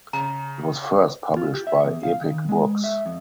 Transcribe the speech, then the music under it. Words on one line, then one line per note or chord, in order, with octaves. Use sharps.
It was first published by Epic Books.
C#3 A#5
F4
G4
E5
E2
F5
D#3
G#3
E5
F2